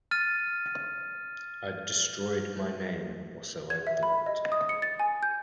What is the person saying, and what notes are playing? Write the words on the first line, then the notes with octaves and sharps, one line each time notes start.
I'd destroyed my name, or so I thought.
F6 A6 D#7
G#6
E5
B5
D#5
D#6
C#7
A6
G#5
G6